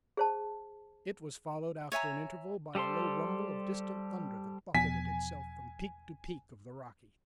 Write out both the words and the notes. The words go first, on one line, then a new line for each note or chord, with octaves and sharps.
It was followed after an interval by a low rumble of distant thunder that buffeted itself from peak to peak of the Rockies.
G#4 C5 A5
C#5 E5 G#5 A#5
G3 G4 A4 C5 C6
E1 F3 B3 G#5 B6